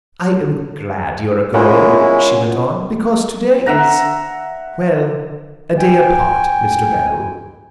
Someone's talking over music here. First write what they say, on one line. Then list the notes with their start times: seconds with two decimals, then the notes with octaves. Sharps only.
I am glad you are going," she went on, "because to-day is--well, a day apart, Mr. Bellew.
1.54 G#3 C#4 E4 F4 A#4 F#5
3.66 E5 F#5 A#5
5.79 G5 G#5